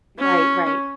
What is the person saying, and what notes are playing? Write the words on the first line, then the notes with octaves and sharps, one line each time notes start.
Right, right.
C#4